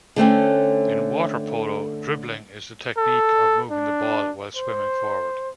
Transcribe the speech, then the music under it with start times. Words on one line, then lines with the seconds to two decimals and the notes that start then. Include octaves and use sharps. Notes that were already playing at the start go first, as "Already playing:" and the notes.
In water polo, dribbling is the technique of moving the ball while swimming forward.
0.16 D3 A3 C4 C#4
2.97 A4
3.70 D4
4.57 C5